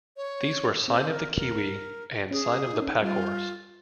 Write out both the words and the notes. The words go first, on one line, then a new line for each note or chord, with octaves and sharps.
These were Sign of the Kiwi, and Sign of the Packhorse.
C#5
C4 C5
G#4
A#4
A#4
C#4 G#4
F4
D#4
C#4
D#4
G3 F4